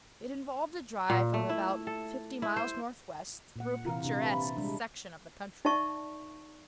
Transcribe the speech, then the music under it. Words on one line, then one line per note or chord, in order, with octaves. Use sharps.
It involved a drive of about fifty miles northwest, through a picturesque section of the country.
A#2
A3
E4
A4
E4
C5
A#2 F#5
C3 E3 A#4 C5 F5
C3 D4
B4 E5 C#6
A5 C6
G3 G#3 D4 B5
D#4 D5 E5 A5 C#6